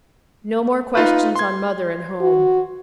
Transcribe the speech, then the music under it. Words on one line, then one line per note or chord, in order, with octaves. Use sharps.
No more questions on mother and home!
D#4 F4 B4
C6 G#6
F#4